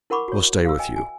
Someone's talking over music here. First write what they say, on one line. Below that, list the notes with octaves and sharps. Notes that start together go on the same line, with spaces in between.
I will stay with you.
E4 A#4 F#5 B5 C#6 D6
F#4 C#5
F5 E6
D#5 G5 G#5
G#5